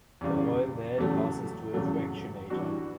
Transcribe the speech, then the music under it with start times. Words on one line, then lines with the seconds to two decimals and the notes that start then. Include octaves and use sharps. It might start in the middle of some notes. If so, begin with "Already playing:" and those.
The oil then passes to a fractionator.
0.21 E2 C#3 G3
0.98 E2 C#3 F#3 A3
1.73 E2 C#3 F#3 A3
2.50 E3 G3 D4 F#4